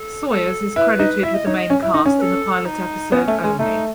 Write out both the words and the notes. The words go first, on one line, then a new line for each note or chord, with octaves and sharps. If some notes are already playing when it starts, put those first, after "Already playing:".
Sawyers is credited with the main cast in the pilot episode only.
Already playing: A4
A4
E4 B4
D#4
E4 E5
D#5
D#4 C#5
D#5
C#4
E4
D#4
C#4
B4
A4
D#4
B3 C#4
A3
G#3
A3 D#4